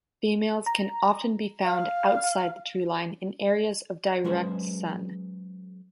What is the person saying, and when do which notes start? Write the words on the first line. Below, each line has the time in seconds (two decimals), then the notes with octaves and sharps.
Females can often be found outside the treeline, in areas of direct sun.
0.66 A#5
1.64 F5
4.24 F#3 G#3 C#4 G#4 B4 C5